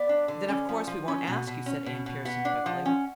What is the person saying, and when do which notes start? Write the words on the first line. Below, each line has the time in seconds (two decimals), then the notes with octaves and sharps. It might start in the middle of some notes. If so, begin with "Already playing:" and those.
"Then, of course, we won't ask you," said Anne Pierson quickly.
Already playing: B3 D5
0.09 D4
0.28 D3
0.48 C#4
0.69 F3
0.87 F3
1.08 C#4
1.27 B2
1.47 B2
1.66 C#4
1.86 B2
2.06 B2
2.25 B3 F#5
2.45 D4
2.66 F3
2.86 C#4